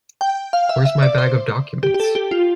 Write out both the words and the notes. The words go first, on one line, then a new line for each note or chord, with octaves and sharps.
Where's my bag of documents?
G5
F5
E5
E5
D5
C5
G4
G4
A4
G4
F4